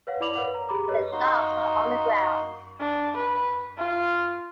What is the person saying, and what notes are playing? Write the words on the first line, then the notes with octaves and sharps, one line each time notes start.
The docks are underground.
B4 C#5 F5 F#5
E4 D5 B5 D6 F7 F#7
A#4 B4 C#5 F5 F#5
A#5
G4 G#4 A#5 B5 D6
G4 A4 B4 C#5 D#5
A#3 D#4 F#4 C6
D4
B4
F4